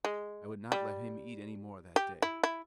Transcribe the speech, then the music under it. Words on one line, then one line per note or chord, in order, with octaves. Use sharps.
I would not let him eat any more that day.
G#3
G3
G4
E4
E4